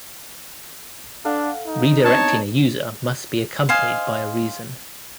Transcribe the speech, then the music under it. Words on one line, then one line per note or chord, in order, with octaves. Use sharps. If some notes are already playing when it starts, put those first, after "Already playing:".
Redirecting a user must be accompanied by a reason.
D4 A4 F5 F#5
D#4
B3 C4 D4 C#5 A5
C5 D#5 F5 G#5